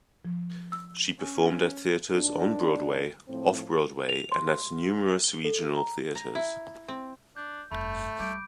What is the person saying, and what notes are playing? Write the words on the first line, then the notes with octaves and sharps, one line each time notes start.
She performed at theatres on Broadway, off-Broadway, and at numerous regional theatres.
F3
E6
C#4
D#2 D#3 D4
A2 F3 C4
F7
C6
G7
A4
A#5
A#5
E4
C4
D4 G6
F1 G2 A3 B5 G6
C2 G3 D6 G6 D7